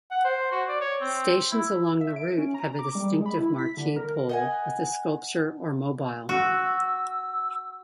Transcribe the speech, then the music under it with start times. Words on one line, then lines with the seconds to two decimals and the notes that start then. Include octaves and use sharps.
Stations along the route have a distinctive marquee pole with a sculpture or mobile.
0.11 F#5
0.25 C5
0.52 F#4
0.69 D5
0.81 C#5
1.01 C4
1.52 E4
2.01 E5
2.16 D7
2.38 C#4
2.54 A#5
2.79 D6
2.95 G3
3.13 G#3
3.26 B5
3.38 E4
3.58 B6
3.77 D3
3.96 A#4
4.29 D#5 F#5 G#5
6.29 F#4 E6